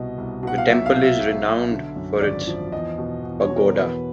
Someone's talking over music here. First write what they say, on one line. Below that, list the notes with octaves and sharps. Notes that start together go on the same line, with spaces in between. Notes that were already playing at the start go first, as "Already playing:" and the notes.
The temple is renowned for its pagoda.
Already playing: C2 B2 D#5
C2
B2 F#5
F5
B1 E5
F5
B2
E5
B1
B2
D3
F#2
G#1 D5
F3
E2 D#5
B2
E2
C#5
B2
A#4
E2 B4